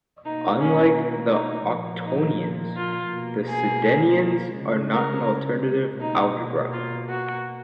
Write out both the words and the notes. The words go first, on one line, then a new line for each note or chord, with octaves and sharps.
Unlike the octonions, the sedenions are not an alternative algebra.
B2 A#3 D#4
C#4
D#4
A#2 F3 A#3
D#4
F4
B2 A#3
G#4
C#3 G#3
A#4
B2 A#3 D#4
F4
F#4